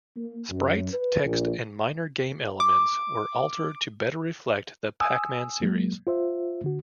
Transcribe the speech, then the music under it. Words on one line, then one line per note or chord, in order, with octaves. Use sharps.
Sprites, text, and minor game elements were altered to better reflect the Pac-Man series.
A#3
F#2
B4
A#1
D6
G#5 D#6 E6
F#3 G#3 A#3
F4 C5 E5
D3 F#4